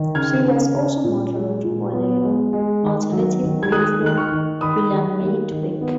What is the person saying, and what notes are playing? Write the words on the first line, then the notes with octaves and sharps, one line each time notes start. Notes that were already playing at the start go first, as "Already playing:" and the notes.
She has also modeled for the alternative weekly Willamette Week.
Already playing: D#3
C#3 F6 G#6
C#4
C#4
A#2
G#3
A#2
B3
G#3
G#3
D#3
F#3
D#3
G#6
G#3 D#6 F#6
D#3 F#6
C#6 F6
D#3
D#3 B5 D#6
D#3
A#3
D#3
B3